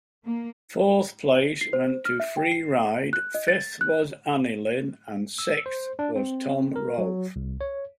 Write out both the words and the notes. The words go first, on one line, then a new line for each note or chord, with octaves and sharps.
Fourth place went to Free Ride, fifth was Anilin and sixth was Tom Rolfe.
A#3
C7
C5
F6
E5
G5
C7
F#6
D#5
A6
F#6
E6
C5
D4
C4
A#4
F#3
C2
C#5